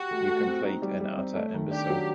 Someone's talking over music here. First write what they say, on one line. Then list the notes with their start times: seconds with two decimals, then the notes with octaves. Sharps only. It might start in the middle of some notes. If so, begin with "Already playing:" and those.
You complete and utter imbecile.
Already playing: F#4 G4
0.11 A3
0.29 A3
0.47 C4
0.64 D#4
0.82 G3
1.00 G3
1.17 C4
1.35 A3
1.54 D#3
1.71 D4 G4
1.90 F#3